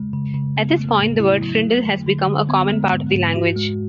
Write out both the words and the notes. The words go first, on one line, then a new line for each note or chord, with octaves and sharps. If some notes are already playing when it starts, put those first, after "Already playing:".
At this point, the word "frindle" has become a common part of the language.
Already playing: C#3 G#3
C#3
C#3
B3
A3
A2
E4
F#3
A3
D3
D3
D3
B3
G#3
G#2
G#2
F#4
G#3